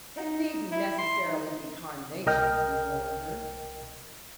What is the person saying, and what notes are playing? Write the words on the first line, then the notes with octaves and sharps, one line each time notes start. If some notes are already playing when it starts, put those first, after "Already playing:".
"It needn't necessarily be carnations," he warned her.
D#4
E4
C6
D#4
C2 A#4 D#5 G5 F6